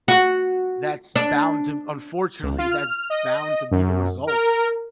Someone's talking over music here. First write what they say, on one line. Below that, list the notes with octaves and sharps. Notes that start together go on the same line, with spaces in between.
that's bound to unfortunately, that's bound to be the result.
F#4
D4
C#2
F4
F6
D#5
F#2
A#4